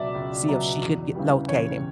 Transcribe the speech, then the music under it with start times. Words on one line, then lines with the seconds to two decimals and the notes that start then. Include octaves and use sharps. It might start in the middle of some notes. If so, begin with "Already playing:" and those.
see if she could g locate him.
Already playing: C#2 B2 F#3 D5 E5
0.14 C#2
0.48 B2 F#3
0.81 E2
1.15 C#3 E3 G3
1.49 E2 C#5